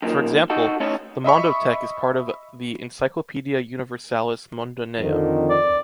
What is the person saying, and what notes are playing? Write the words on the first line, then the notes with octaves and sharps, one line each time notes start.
For example, the Mondothèque is part of the Encyclopedia Universalis Mundaneum.
F#2 A#2 D3 D#3
D#4 F#4 A4
A2 A3 C#4 D#4 A4
D#5 E5 B5 C#6
F2 D3 D#3
D5